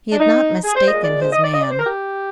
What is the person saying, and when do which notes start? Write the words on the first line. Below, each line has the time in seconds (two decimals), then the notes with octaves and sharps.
He had not mistaken his man.
0.11 D4
0.20 D#4
0.64 G#4
0.75 C5
0.86 A#2 G#3 D#5
1.03 D5
1.20 C5
1.32 D#5
1.42 D5
1.53 D#5
1.62 D5
1.70 C5
1.78 A#4
1.86 G4